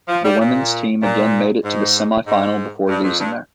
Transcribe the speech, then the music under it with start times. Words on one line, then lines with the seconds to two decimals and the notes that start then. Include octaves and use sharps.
The women's team again made it to the semifinal before losing there.
0.09 F3
0.25 G3
0.40 A#2
1.03 A#2
1.64 G#2
2.27 G#2
2.88 G2
3.04 F2
3.19 G2